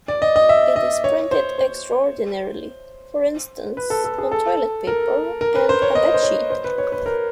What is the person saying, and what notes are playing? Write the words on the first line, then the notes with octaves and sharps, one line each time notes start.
It is printed extraordinarily, for instance on toilet paper and a bedsheet.
D5
D#5
D#5
E5
D#5
C#5
C5
C5
B4
A4
A4
G#4
A4
A#4
A#4
B4
C5
C#5
D#5
C5
C#5
C5
B4
C#5
B4
A#4